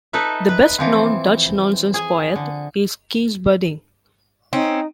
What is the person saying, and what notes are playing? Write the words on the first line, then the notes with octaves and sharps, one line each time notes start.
The best-known Dutch Nonsense poet is Cees Buddingh'.
D#4 A4 B4 E5
B4
E3 F3 C4
G#4 G#5
D3
C4 C#4 D#4